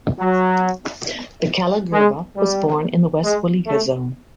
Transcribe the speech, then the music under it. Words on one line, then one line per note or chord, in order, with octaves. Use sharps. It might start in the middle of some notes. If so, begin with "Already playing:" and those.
Bekele Gerba was born in in West Welega Zone.
F#3
G#3
G3
G#3
A3